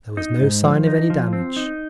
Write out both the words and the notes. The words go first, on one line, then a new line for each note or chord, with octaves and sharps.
There was no sign of any damage....
D#4
G#2
F3
D#4
F3
C4
D#4